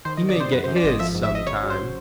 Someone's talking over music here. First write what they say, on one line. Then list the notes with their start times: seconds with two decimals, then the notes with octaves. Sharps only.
"He may get his some time."
0.05 D#3 C5
0.17 D#5
0.21 D#3
0.29 D5
0.36 C3 C5
0.52 F#2 B4
0.64 C5
0.68 F#2
0.76 D5
0.83 G#1 D#5
0.99 F3 E5
1.15 G#2
1.23 E5
1.31 G#1 D#5
1.47 C#3 C#5
1.63 F#3
1.70 C5